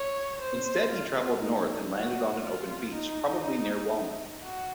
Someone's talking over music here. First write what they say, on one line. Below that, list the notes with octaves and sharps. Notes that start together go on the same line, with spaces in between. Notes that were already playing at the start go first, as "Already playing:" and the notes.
Instead he travelled north and landed on an open beach, probably near Walmer.
Already playing: C#5
C5
F4
D#4
F#4
F4
D#4
F#4